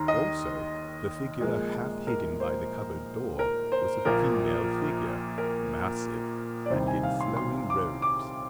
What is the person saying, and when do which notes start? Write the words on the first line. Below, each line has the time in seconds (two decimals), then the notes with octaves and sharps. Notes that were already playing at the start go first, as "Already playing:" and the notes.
Also the figure half-hidden by the cupboard-door--was a female figure, massive, and in flowing robes.
Already playing: D#2 D#3 A#5 C6
0.08 D#5
1.41 A#1 A#2 G#3 A#4
2.07 A#4
2.40 C5
3.39 A#4
3.72 C5
4.05 A#1 A#2 F3 A#3 A#4
5.38 A#4
6.66 D5
6.70 C2 C3 D#3 G3 C5
6.87 G#5
7.03 F5
7.21 C6
7.37 C6
7.70 D6
8.02 D6